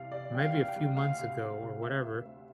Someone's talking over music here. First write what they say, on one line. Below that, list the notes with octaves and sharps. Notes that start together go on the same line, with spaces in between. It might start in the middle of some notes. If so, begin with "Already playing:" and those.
or maybe a few months ago or whatever.
Already playing: C2 C3 E3 D5 F5
C3 D5
G3 G5
F5
C2
G5
G3
D2 F5
C3
D2
C3
D2 E5
C3
D2